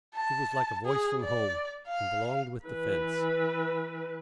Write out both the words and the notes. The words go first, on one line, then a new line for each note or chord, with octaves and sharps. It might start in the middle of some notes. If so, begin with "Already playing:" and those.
It was like a voice from home, and belonged with the fence.
A5
G#4
D5
F5
E3 B4